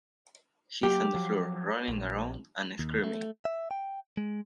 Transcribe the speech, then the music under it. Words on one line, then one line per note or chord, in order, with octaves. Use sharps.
He's on the floor, rolling around and screaming.
F#3 A#3 G4
F3 F#3
A#1
D#2
A3
E5
G5
G#3